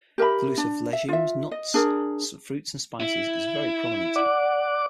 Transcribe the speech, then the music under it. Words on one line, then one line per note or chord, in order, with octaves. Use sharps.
The use of legumes, nuts, fruits and spices is very prominent.
G4 A#4 E5 B5
D4
E5
F4 E5
D#5
D4 G#4 A#4
E4
D5 F#5 D6